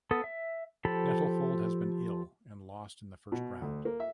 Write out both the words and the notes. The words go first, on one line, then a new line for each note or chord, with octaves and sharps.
Nettlefold had been ill and lost in the first round.
B3 A4 D#6
E5
F3 G4 A4 A5 B5
B2
D2
A#3
E5